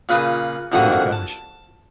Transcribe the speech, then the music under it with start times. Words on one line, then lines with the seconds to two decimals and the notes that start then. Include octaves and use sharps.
Oh my gosh.
0.09 A#2 C#3 B4 B5 D#6
0.72 C2 F2 D3 D#3 F#4 D#6
1.12 A5